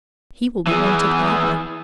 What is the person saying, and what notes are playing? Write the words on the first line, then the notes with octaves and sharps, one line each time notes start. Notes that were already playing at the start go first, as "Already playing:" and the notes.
He will be wanted badly.'
E3 G#4